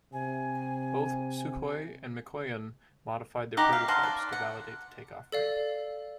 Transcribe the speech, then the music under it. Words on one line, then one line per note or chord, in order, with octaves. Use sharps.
Both Sukhoi and Mikoyan modified their prototypes to validate the takeoff ramp.
C3 G#5
D#4 G4 F#5 D6
F5
D#4 F#5 A5 C6
D5
F#5
A4 D5 F5